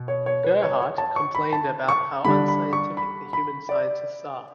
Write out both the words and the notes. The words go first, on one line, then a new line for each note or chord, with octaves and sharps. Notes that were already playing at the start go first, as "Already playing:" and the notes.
Gerhart complained about how unscientific the human scientists are.
Already playing: B2
C#5
C#5
B4
C#5
C#5
A5
C#6
B5
A5
C#6
D3 G3 D4 B5
B5
C#6
B5
B5
D5